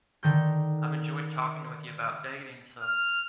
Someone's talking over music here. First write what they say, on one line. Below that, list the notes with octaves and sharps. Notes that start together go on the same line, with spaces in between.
I've enjoyed talking with you about dating, so
D3 D#3 G6
F6